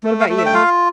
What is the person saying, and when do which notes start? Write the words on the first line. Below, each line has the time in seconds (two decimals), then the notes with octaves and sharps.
What about you?
0.04 A3
0.20 F5
0.29 A3
0.38 E5
0.46 G5
0.54 F4 F5